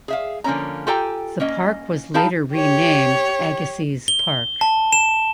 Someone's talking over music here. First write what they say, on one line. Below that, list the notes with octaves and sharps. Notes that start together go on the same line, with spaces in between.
The park was later renamed Agassiz Park.
G#4 E5 F5
D3 F3 A#3 C#4 A#5
F4 G4 A4 G5 G#5 A#5
A#3 C#4 D#5
D#4 E4 G#4 F5 G5 A5
G4 C#5
G7
A5
E7